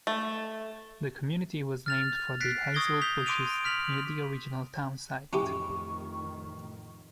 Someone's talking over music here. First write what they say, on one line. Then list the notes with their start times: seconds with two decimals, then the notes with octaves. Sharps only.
The community was named for the hazel bushes near the original town site.
0.07 A3
1.86 F6 A6 F7
2.40 F#6 A6 B6 C7 D7
2.74 C#6 D#6 G#6 A#6 G7
3.01 G6 B6 F7 G7
3.26 C6 D6 D7 D#7 F7
3.65 F6 B6 F7 F#7
5.33 A1 F2 D#3 C#4 E4 G4 C#6